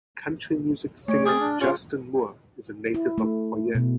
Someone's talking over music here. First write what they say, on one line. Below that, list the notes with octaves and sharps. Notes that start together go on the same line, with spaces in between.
Country music singer Justin Moore is a native of Poyen.
A3 C#5 D7
C4 G#4 D6 F6 A6
D4
C#4 F4 G#4
E4
A3
B2